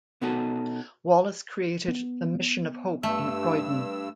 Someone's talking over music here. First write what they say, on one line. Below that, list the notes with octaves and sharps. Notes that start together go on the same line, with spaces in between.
Wallis created the "Mission of Hope" in Croydon.
B2 B3 C#4 D#4 F#4 A4
B3
G2 A3 E6